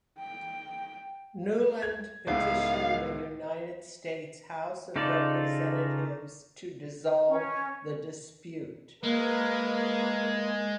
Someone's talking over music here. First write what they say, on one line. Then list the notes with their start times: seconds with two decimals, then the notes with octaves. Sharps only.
Newland petitioned the United States House of Representatives to resolve the dispute.
0.19 G5
1.82 G#6
2.28 C#2 A2 D#3 B3 F5
4.96 C#3 D#4 F4 A4 D5
7.27 C#4
9.03 G#3 A#3 A#4 B4